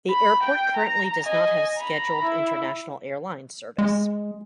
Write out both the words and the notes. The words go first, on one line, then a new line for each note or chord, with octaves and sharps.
The airport currently does not have scheduled international airline service.
B5
G5
A#5
D#5 G#5
A#5 B5
E4
G#3